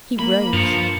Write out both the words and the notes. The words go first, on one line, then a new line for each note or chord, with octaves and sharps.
He rose.
A#3 B5
G2 F3 C#7 F7